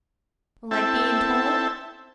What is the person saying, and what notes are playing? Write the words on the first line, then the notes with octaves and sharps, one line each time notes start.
"Like being told?"
C4 E4 A4 E5 G5 A5